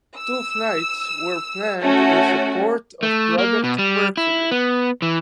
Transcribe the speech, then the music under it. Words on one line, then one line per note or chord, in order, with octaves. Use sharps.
Two flights were planned in support of Project Mercury.
E6
A3 C#4 F#4
A3
A#3
B2
G3
E4
B3
E3